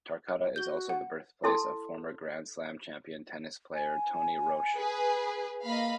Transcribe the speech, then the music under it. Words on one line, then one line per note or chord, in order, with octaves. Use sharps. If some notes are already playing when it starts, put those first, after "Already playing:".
Tarcutta is also the birthplace of former Grand Slam champion tennis player Tony Roche.
F#4 G6 G7
F#5
E4 A4 A5 C6
G#5
G#4 B4
A#3 D#5 F5 B5